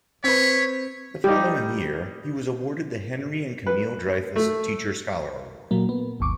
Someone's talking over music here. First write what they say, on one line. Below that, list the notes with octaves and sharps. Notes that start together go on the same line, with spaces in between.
The following year, he was awarded the Henry and Camile Dreyfus Teacher-Scholar award.
C4 B4 C#5 B6
G3 D#4 G4
B4
A3
A#2 F#3 A#3
B3
G#1 D#2 C#6 D6